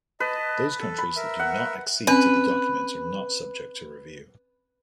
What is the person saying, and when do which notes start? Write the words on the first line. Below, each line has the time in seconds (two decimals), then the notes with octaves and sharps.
Those countries that do not accede to the document are not subject to review.
0.20 B4 D#5 A5
0.80 A4
0.98 B5
1.16 A#4 E5
1.39 F#5
2.07 C4 C#4 B4